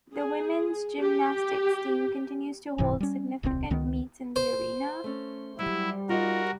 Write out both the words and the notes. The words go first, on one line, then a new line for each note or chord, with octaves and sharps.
The women's gymnastics team continues to hold significant meets in the arena.
G#4
G4
D1 G#2 C3 E3
G3 C#4
D#1 C2 A2 C4
C#2 D#3 B3
C5
A3 C#4
F#3 G3 E4
D#4 F4 F#4 A#4